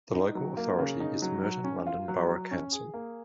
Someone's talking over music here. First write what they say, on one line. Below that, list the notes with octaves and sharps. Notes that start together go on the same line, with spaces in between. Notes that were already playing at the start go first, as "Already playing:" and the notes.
The local authority is Merton London Borough Council.
D#4
F#3
A#3
C#3
D#4
F#3
F#3
C#4
F4
F#3
F#3
C#4
G#4
A#3